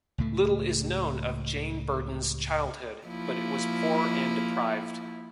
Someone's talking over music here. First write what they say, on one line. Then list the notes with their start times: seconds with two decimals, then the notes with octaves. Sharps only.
Little is known of Jane Burden's childhood, but it was poor and deprived.
0.18 C#2 A2 A3
3.07 F3 A#3 E4